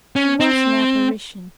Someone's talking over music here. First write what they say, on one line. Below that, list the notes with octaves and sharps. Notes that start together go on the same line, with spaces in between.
What an apparition!
C#4
C4